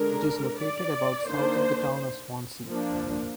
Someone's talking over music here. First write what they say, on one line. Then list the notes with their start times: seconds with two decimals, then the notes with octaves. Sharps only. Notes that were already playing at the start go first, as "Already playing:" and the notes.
It is located about south of the town of Swansea.
Already playing: D3 G#3 D4 A#4
0.59 D5
1.28 D#3 A#3 D4 C5
2.66 F3 A#3 D4